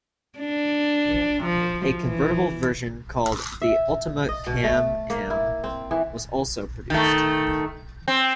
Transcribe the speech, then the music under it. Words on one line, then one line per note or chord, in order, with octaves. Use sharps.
A convertible version called the Ultima Can-Am was also produced.
D4
F3
E3
E5
D#5
B2
A3
A#3
E4
C4
E3
D#3 A3
C4